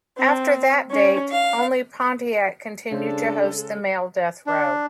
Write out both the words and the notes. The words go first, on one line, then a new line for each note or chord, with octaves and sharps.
After that date, only Pontiac continued to host the male death row.
C4
C#4
F5
C#3 G#3 D4 A4 C5
D4